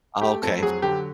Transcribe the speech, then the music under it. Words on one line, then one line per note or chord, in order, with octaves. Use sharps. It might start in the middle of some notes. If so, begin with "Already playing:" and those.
Oh, okay.
A3 G4
F2 A4
F#3 G#4
D3 G4